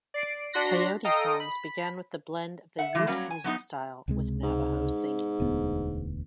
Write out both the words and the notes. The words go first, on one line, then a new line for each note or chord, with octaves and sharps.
Peyote songs began with the blend of the Ute music style with Navajo singing.
D5 C7 D7
D4 F#4 C6 F#6 A#6 B6
A4 D#5 F5 G5 A#5 D#6
B5
E5 F#5
A2 D3 E3
F#3 G3 A#3 C#4
G#5
F#3 B3 D#4
C#2 C3 G#3
G#2
E1 D2 B3